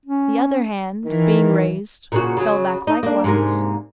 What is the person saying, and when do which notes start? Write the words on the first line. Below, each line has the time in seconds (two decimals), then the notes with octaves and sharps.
The other hand, being raised, fell back likewise.
0.06 C#4
1.05 D#3 E3
2.12 A#2 C#3 F#4
2.37 C#3 F#3
2.87 D#4
3.03 A#3 D4
3.24 G#2 C3 A#3